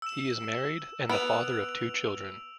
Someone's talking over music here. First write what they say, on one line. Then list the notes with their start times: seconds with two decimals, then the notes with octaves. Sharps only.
He is married and the father of two children.
0.02 E6 E7
1.10 B3 E6 D7 F7